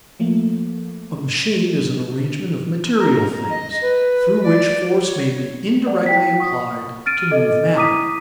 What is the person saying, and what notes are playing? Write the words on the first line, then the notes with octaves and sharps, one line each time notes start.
A machine is an arrangement of material things through which force may be indirectly applied to move matter.
F3 A3 A#3
A#4
A#5
D#5
B4
D5
C#5
D5 F#5
E4 G5 B6
F#5 C#6 D#6
F6 A6 D7 D#7
A4 D#5
E4 A#5 D6 D#6 B6 D#7